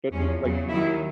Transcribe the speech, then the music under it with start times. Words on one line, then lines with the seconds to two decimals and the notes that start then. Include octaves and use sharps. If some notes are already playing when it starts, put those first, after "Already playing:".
but n like
0.12 E2 C3 F3 C#4
0.40 E2 C#3 F#3
0.69 D#2 D#3 F#3 E4